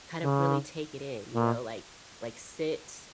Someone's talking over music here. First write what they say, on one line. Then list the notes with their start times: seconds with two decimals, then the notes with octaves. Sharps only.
kind of really take it in, you know, like like sit,
0.23 C#3
1.34 A#2